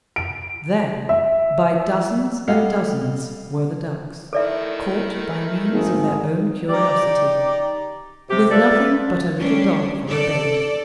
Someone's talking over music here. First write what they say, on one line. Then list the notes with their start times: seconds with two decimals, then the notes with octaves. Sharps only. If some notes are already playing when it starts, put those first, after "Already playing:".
There, by dozens and dozens, were the ducks, caught by means of their own curiosity--with nothing but a little dog for a bait!
0.16 D7
1.09 E5
2.48 G3 A4 D#5 F5 F#5
4.33 D#3 A3 E4 A4 D5 E5
5.71 G#1 D#4 G#4
6.69 D#4 G4 D5
8.29 C3 G4
8.51 F4 A4 B4 D5 E5
9.38 G3 C#4 D4
10.08 A4 D5